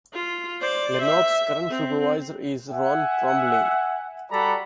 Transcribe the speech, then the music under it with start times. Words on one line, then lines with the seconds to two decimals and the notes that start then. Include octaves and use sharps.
Lenox's current Supervisor is Ron Trombly.
0.14 F4
0.61 C5 D5
1.03 E5
1.70 C4
2.71 E5 F#5 G#5
4.31 G3 F#4 A4 D5 A#5 B5